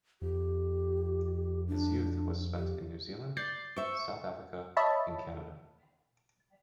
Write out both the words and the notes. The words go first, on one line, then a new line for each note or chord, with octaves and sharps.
His youth was spent in New Zealand, South Africa and Canada.
F2 G4
D4
G4
D5 G6 A6 C7
C5 E5 C#6
C#5 D#5 E5 A5 B5